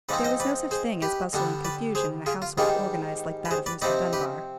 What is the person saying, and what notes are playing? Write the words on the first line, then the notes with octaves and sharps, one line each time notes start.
There was no such thing as bustle and confusion in a household organized like that of Mr. Dunbar.
G#2 F3 G#3 C4 D#4 B4 D5
C5 D#5
B4 D5
G#4 C5
G4 B4
D3 G3 B3 D4
B4 D5
G#4 C5
F4 G#4
F4
G#2 D#3 G3 D4 F4 G#4
B4
G#4 C5
B4 D5
C3 F3 C4 D#4 B4 D5
G4 B4